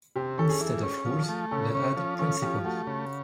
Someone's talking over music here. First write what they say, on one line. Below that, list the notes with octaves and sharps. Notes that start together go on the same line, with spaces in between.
Instead of rules, they had principles.
C3 G4
C#4 A4
G#4
E3
C#4
F3
A3
C#3 A4
C#4
F3
C#4 A4
F3 G4
A3 F#4
C#3